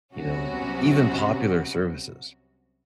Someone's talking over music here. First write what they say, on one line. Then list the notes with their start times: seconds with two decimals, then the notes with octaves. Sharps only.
you know, even popular services.
0.16 C2 C3 F#3 B3 C#4 F#4